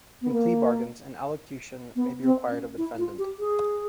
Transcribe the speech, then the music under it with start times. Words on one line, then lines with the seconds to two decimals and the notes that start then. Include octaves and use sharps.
In plea bargains, an allocution may be required of the defendant.
0.22 B3
0.32 A#3
1.96 B3
2.23 C4
2.51 C#4
2.78 E4
2.98 F4
3.18 G4
3.39 G#4